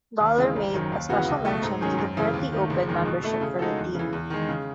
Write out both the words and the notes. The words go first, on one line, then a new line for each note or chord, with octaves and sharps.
Dollar made a special mention to the currently open membership for the team.
D#2
C#3 E3 G#3
G#1
F#2 D#3 F#3
D#2
C#3 E3 B3 F#4
C#2
B2 A3
G#2
D#3 F#3 C#4 G#4
F#2
C#3 E3
D#2
D#3 A3
F#1
E2 D#3 G#3
B2
A3 E4 A4
C#3
G#3 D#4 F#4 A4
E2
C#3 E3
E2
D#3 G#3
C#3